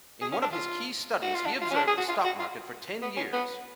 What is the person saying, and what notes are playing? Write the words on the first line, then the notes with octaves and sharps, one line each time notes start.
In one of his key studies, he observed the stock market for ten years.
G#4
C#4
D4
F4
F#4
F4
D4
F4
C#4
D4
G#4
F#4
F4
F#4
F4
B3
C#4
B3